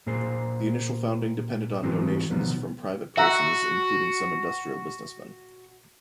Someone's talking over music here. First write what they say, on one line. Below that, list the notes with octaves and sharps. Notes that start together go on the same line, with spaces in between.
The initial founding depended on donations from private persons including some industrial businessmen.
A#2 A#3 G#4 C5
G#2 E3 C4 F#4 G#4 B4
B2 D#3 F3 B3
F#4 E5 F#5 A#5